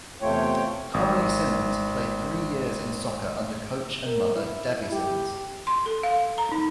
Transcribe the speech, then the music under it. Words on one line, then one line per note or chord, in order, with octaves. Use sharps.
Coralie Simmons played three years in soccer under coach and mother Debbie Simmons.
E2 C3 A3 F4 C#5 G5
G#1 D#6
A#4
E4
G4
C6
A4
F5
A#5
D#4